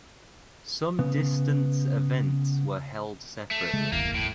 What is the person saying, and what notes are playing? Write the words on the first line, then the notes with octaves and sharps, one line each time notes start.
Some distance events were held separately.
C#3 B3
A3
C#3 G#3
D1 G1 E2 A#3
A2